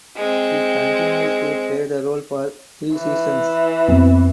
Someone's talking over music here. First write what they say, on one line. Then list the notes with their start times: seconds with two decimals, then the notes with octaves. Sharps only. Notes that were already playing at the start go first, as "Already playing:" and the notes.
He continued to play the role for three seasons.
0.16 G#3 C4
2.94 E3
3.88 F2 F#3 B3 C4